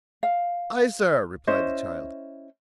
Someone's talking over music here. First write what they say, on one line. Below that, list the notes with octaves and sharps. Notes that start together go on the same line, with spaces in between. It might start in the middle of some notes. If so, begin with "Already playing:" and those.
"I, sir," replied the child.
F5
C#4 E4 C5 D#5